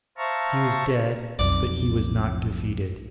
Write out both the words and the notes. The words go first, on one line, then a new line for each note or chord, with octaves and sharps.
He was dead, but he was not defeated.
C5 E5 F5 A5 A#5 C#6
B1 F2 D5